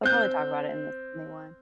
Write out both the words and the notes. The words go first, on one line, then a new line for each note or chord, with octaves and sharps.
They'll probably talk about it in this new one.
C4 G6